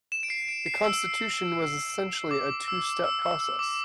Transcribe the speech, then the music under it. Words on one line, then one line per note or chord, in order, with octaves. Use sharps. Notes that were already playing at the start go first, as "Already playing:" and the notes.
The constitution was essentially a two-step process.
E7
D7
C7
D7
C7
E6
D6
E6
E6
E6
E6
D6